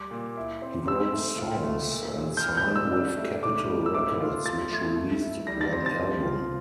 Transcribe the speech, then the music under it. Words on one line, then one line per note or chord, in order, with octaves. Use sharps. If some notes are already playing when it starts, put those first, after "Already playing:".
He wrote songs and signed with Capitol Records, which released one album.
Already playing: G3 D6
A#2
E4
C4
C4 E6
A3
F4
A3
A#2
A#2
G6
A#2 F6
G6
G3
E6
D4
A3
A2 D6
G3
E6
A3 D6
F4
F4 A6
A3
A3
E4
G3 A#6
A6
C4 A#6
A6
F3
F4